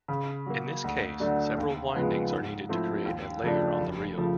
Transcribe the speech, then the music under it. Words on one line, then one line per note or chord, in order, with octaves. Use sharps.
In this case, several windings are needed to create a layer on the reel.
C#3
F#3 A#3
D2
D3 F#3 A3 D4
D#2
C#3 F3 G#3 B3
G#2
F3 A3 C4 E4
D#2
C#3 F3 A3 D4
F1
C#3 F3 A3